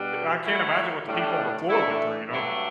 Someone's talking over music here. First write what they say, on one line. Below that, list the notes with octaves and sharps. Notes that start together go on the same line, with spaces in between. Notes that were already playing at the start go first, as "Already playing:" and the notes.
I can't imagine what the people on the floor went through, you know?
Already playing: B2 G3 D4
A2 F#3 A3 E4
A2 G3 D4
A2 E3 A3 D4 E4
G2 F#3 A3 D4 E4